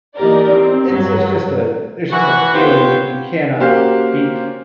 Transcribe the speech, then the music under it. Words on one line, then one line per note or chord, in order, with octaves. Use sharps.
It's a it's just a it's just a feeling that you cannot beat
E3 A#3 D#4 G4 A#4 D5
C4
G2 F#3
E3 F#4
B3 C4 F4 G4 C5 C#5
A#3 C#4 F#4 G4 C5 F5